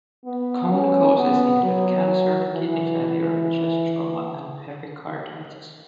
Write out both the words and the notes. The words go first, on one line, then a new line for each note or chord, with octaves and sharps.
Common causes include cancer, kidney failure, chest trauma, and pericarditis.
B3
C#4
B3
F#3
E3